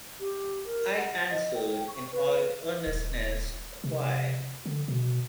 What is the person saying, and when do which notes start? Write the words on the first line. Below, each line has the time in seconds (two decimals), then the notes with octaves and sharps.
I answered in all earnestness, "Quite."
0.20 G4
0.66 A#4
0.97 F#5
1.30 D#5
1.55 G5
1.88 C#6
2.13 B4
2.87 D#1
3.84 C3
4.66 D3
4.88 B2